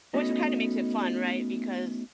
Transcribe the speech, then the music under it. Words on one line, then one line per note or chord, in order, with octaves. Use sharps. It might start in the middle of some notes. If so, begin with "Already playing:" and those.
Which kinda makes it fun, right? Because,
A3 B3 C#4 D#4 F#4 D#5